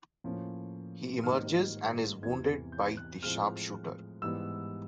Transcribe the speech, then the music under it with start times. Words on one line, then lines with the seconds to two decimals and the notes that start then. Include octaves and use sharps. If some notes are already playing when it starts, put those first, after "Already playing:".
He emerges and is wounded by the sharpshooter.
0.24 A2 F3 A#3 C#4
1.23 G#2 D#3 G3 A#3 F6
2.23 E2 C3 E3 G#6
2.72 G6
2.97 F#6
3.23 A2 F3 G#3 C4 F6
4.22 G#2 E3 G3 B3 E6